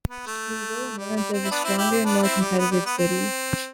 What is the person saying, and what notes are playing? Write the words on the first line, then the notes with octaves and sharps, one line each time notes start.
We will emerge as a stronger and more competitive city.
B3
A3
G3
G3
C4
E4
B3 D4
C4 E4
E4 G4
C4
B3 D4
C4 E4
G3
B3
G3
B3
C4